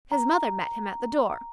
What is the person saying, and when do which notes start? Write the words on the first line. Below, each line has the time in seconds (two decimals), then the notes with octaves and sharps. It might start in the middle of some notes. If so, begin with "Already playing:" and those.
His mother met him at the door.
0.12 A#5